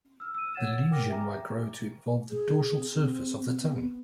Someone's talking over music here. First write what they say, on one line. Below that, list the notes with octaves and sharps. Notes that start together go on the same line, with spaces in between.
The lesion may grow to involve the dorsal surface of the tongue.
E6 F6
E6 D#7
C#5 F#5 G#6 A6 E7
A#4 G5 D6 F6 A#6
E5 G#5 A#5
G#4
C4
B3